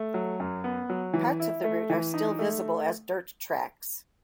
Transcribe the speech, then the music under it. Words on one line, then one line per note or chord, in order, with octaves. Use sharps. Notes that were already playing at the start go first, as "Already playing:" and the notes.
Parts of the route are still visible as dirt tracks.
Already playing: A3
F#3
F#2
B3
F#3
E3
E4
A3
E3
D#4
A3